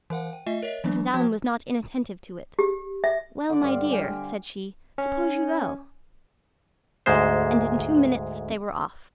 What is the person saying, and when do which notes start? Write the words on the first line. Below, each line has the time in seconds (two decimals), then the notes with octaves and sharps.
Mrs. Allen was not inattentive to it: "Well, my dear," said she, "suppose you go." And in two minutes they were off.
0.10 E3 A#4 F5 F#5
0.33 G5
0.46 A3 F4 D#5 E5 G#5
0.62 A#4 C#5 D#5 E5
0.84 E3 F#3 G#3 D4
1.14 F3 B3 F#4 C5 G#6 B6
2.59 G4
3.04 E5
3.49 D3 D5
3.62 G2 C5 F5
3.91 F5 G5 G#5
4.98 C#4
7.06 D2 G#2 G#3 C5